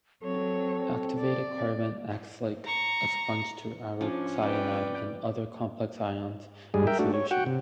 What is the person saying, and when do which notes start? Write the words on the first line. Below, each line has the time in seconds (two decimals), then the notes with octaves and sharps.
Activated carbon acts like a sponge to aurocyanide and other complex ions in solution.
0.23 F#3 C4 A4 C#5
1.20 D5
2.65 A#5 C#6
4.01 F3 C#4 D4
4.43 C4 B4 D5 G5
6.74 G2 G3 G#3 G#4
6.87 A#4 E5 G5
6.99 A3 D4 F#4
7.14 C#5
7.31 F#4 F#5 G5
7.46 C3